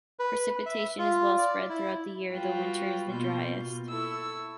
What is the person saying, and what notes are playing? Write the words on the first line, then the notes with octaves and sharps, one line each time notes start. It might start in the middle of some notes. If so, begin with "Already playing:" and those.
Precipitation is well-spread throughout the year, though winter is the driest.
B4
E5
F4
D5
E4
G3 F4 F#4 B4 G5
B2 A#3 F4 G6
E4 A4 C#6 E6